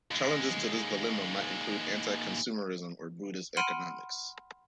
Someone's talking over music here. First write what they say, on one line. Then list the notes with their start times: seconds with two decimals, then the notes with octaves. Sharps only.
Challenges to this dilemma might include anti-consumerism or Buddhist economics.
0.11 D#2 G#3
3.57 F#5 B5 C6 F6 D7 D#7